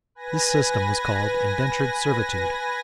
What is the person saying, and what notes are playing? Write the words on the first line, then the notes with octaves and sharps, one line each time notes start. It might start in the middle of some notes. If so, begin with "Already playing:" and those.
This system was called indentured servitude.
B4 G#5 A#6